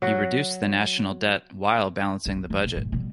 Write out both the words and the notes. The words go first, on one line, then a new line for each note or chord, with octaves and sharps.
He reduced the national debt while balancing the budget.
F#3 F#4
B1
F2
B2
G2 A#2
B2 G3